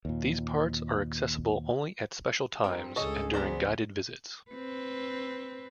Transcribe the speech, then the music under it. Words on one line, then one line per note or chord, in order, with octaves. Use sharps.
These parts are accessible only at special times and during guided visits.
D#2 A#2
G2 F3 C4 A#4
C#2 G#4 A4 C#5 D#5
E3 B3 C5 D5 A#5
C4 B4